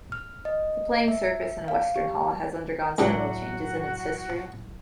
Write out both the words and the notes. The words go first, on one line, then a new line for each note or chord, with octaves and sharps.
The playing surface in Western Hall has undergone several changes in its history.
F6
D#5
E5
F5
G4
C#2 A2 F#3 D4 F#4 G4 F#5